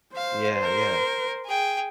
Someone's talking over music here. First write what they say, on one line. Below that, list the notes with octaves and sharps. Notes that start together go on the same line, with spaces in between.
Yeah, yeah.
C5 F5
A#4
G#4 G5